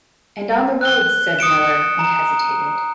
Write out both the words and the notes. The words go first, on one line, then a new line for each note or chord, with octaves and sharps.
"And on the roads," said Miller, and hesitated.
F#6 G7
D#6 C#7 D7 E7
A#5